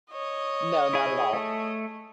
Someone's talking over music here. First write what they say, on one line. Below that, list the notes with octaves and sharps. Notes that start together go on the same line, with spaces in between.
No, not at all.
C#5 D#5
E4 G#4
A3